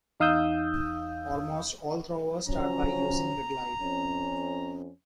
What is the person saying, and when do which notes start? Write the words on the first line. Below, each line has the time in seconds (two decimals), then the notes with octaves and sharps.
Almost all throwers start by using the glide.
0.20 E2 D#4 F5 D#6 E6 G6
2.48 F3 F#3 C#4 A#5
3.81 F2 C#4